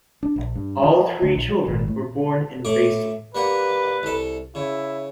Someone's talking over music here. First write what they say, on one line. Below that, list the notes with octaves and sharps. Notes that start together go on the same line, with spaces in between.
All three children were born in Basel.
D4
A#1
G2
F3
D2
A#1
F#3
G#1
A2
A2 A3 D6
G3 A#3 B4 F#5
C2 A4
C#3 E4